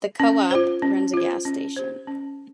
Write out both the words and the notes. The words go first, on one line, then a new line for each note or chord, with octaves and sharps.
The co-op runs a gas station.
C#4
F4 C5
C#4
F4 C5
C#4
G4 C5
C#4